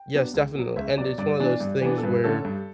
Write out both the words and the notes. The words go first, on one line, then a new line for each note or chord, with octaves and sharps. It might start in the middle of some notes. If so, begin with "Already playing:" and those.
Yes, definitely, and it's one of those things where,
Already playing: G5
F#3 B3 D4
C#2
B2 F#3
C#2 E5
B2 F#3 D5
G2 D5
E3 B3 D4 D5
G2
E3 B3 D4
A4
G2 B4
D3 A3 C#4 A4
G2